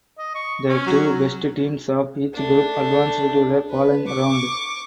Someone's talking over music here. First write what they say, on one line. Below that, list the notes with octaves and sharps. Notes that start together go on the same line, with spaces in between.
The two best teams of each group advanced to the following round.
D#5
C#6
C#4
F#3
A3 D4
B4
C#6 D6